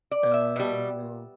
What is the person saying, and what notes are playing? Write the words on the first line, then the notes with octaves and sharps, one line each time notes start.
and, you know,
D5
E5
B2 G3